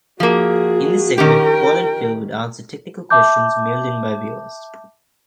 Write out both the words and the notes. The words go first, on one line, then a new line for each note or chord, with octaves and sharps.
In this segment, Paul and Phil would answer technical questions mailed in by viewers.
F3 A#3 F#4 G#4
D#3 C#4 G4 A#4 G5
E5 A5 D6 G6